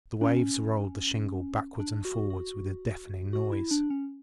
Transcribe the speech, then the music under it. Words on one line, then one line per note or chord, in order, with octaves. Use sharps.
The waves rolled the shingle backwards and forwards with a deafening noise.
D4
C#4
D4
F#4
F#4
F#4
E4
D4
C#4